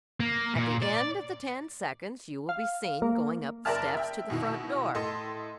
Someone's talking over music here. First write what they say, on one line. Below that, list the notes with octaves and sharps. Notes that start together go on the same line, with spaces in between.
At the end of the ten seconds you will be seen going up the steps to the front door.
A#3
A#2
D5
F5
A#3
F#1 A#4 D5 E5 A5 F6
E5 G5
B2 D#3 E4
A2 A4 D#5 C6